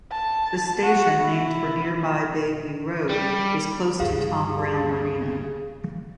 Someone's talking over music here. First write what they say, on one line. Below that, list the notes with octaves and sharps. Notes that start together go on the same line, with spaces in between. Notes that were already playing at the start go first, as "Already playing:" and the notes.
The station, named for nearby Bayview Road, is close to Tom Brown Arena.
A5
F#4
E4
G3
D2 G2 C#3 G4 G#4 F5